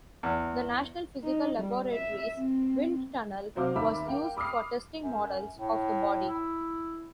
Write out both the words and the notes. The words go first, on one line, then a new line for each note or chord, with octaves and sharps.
The National Physical Laboratory's wind tunnel was used for testing models of the body.
E2
D#4
G3
E5
C4
C3 F#3 C5 F5 D6 F6
D#2 D#3 E5 A#5 B5 D6
A#4 F5 G5
B5 D6 D#6 F6 C7
F#2
A2
E4